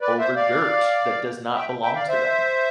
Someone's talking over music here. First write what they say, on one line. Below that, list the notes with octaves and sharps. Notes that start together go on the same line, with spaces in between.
over dirt that does not belong to them
B4 D5
C5 E5
D5 F5
E5 G5
E5 G5
D5 F5
C5 E5